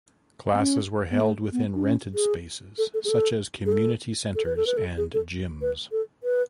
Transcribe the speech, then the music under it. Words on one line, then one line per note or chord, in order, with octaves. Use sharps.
Classes were held within rented spaces such as community centers and gyms.
B3
C#4
B3
A3
B3
D4
C#4
G#4
A4
A4
G#4
A4
G#4
A4
A4
B4
A4
B4
A4
G#4
A4
B4
A4
B4